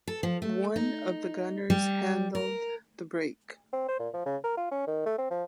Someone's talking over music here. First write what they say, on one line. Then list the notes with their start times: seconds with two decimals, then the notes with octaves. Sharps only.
One of the gunners handled the brake.
0.07 A4
0.23 F3
0.42 A3
0.76 D#4
1.70 G3
2.35 A#4
3.73 C4
3.88 C5
3.99 A#2
4.14 F3
4.26 C#3
4.44 A#4
4.57 F4
4.71 C#4
4.87 D#3
5.06 A3
5.18 C4
5.30 F3